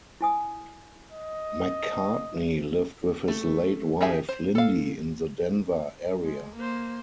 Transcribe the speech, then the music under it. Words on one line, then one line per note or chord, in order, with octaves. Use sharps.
McCartney lived with his late wife Lyndi in the Denver area.
E4 G#5 D#6
D#5
A3
D#4 G4 G#4 E5 G#5
C5
A4 F5
G#3
A#3 C5